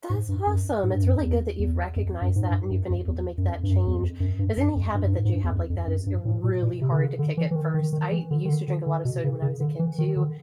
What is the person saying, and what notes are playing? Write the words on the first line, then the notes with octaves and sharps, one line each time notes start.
That's awesome. It's really good that you've recognized that and you've been able to make that change, as any habit that you have like that is, uh, really hard to kick at first. I used to drink a lot of soda when I was a kid too,
G#2
G2
F#2
G#2
G2
F#2
F2
E2
E2
F2
F#2
G#2
G2
F#2
F2
E2
F#2
F2
G2
F#2
E2
F2
F#2
G2
F#2
F2
G2
G2
G#2
G#2
G2
E2
F2
F2
F#2
G2
A2
A#2
A#2
C3
D3
C#3
D3
E3
E3
D#3
D#3
D#3
E3
D3
D#3
D3
D3
D3
B2
C#3
C#3
D3
E3
D#3
D3